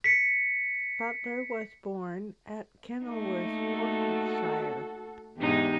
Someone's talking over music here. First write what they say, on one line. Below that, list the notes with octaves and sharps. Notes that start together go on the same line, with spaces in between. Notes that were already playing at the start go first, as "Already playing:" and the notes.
Butler was born at Kenilworth, Warwickshire.
B6 C#7
A3 A#3 D#4
F#4 A4
E2 G#2 D4 D#4 G4